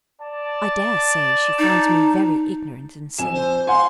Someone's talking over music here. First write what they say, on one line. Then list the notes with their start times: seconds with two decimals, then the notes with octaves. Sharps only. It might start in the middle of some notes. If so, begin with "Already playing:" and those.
I dare say she finds me very ignorant and silly.
0.22 D5 A5
1.59 D#4
3.18 F2 G#5 E7
3.33 C5
3.67 F5 F#5 G#5 C6